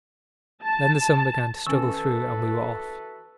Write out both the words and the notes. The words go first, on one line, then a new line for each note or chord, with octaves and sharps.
Then the sun began to struggle through and we were off.
A5
D#3 C#4 E4 F#4 A4 B4 E6